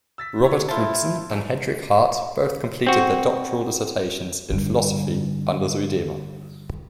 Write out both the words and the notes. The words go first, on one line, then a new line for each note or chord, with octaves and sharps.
Robert Knudsen and Hendrik Hart both completed their doctoral dissertations in philosophy under Zuidema.
E6 A6 B6
C#5
A3 E4 F4 A5
G1 G#5
C4 F#4
G2 D3